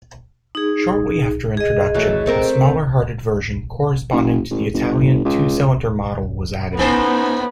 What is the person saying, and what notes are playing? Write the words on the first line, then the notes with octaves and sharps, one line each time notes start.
Shortly after introduction, a smaller-hearted version corresponding to the Italian two-cylinder model was added.
D#4 G#4
G#4 D#5
E3 F#3 A3
A3 C4 A#4
F#1
A1
G1
C#2
A2 A#3 B3 C#4 D#4 C5